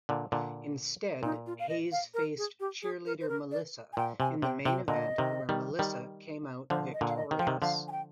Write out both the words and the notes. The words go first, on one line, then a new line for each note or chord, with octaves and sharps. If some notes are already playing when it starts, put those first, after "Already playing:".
Instead Haze faced Cheerleader Melissa in the main event where Melissa came out victorious.
A#2 D3
A#2 D3
A#2 D#4
F4
F5
D#5
F5
A#4
G#4
G4
G#4
A#4
C5
A#4
D5
G#5
A#2 G5
C3 G#5
C3 G5
C3 G5
A#2 D3 D#5
C3 D#3
D#3 G3
D#3 G3
D3 F3 C5
D#5
A#2 D3
F5
D#5
D#3
F3 G5
C3 D#3
D3 F3 F5
G#5
G5